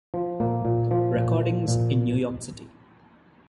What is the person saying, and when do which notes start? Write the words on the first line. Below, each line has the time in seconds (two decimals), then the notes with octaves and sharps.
Recordings in New York City.
0.14 F3
0.40 A#2 A#3
0.65 A#2
0.91 F3
1.17 A#2
1.42 F3
1.68 A#2